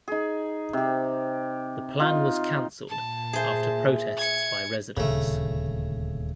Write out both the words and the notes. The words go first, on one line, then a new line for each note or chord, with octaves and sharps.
The plan was canceled after protests by residents.
D#4 G#4
C3 G4
D#4 F4
A#2 A5
G#4 C5 E5
G#6 C#7
D#1 D2 C#3 A3